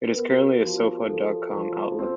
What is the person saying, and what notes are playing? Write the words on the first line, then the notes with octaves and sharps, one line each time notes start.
It is currently a sofa dot com outlet.
B4
B3 A#4
F#4
G4
F3 F#4
G4
F3 A4
F3
C4